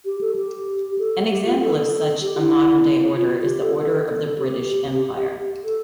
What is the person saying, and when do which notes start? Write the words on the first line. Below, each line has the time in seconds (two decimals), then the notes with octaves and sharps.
An example of such a modern-day order is the Order of the British Empire.
0.05 G4
0.21 A4
0.36 G4
0.98 A4
1.30 G4
1.45 F4
1.60 A4
2.22 G4
2.38 E4
3.15 F4
3.42 A4
3.46 G4
3.62 A4
3.77 A4
4.08 A4
4.24 A4
4.39 G4
5.64 A4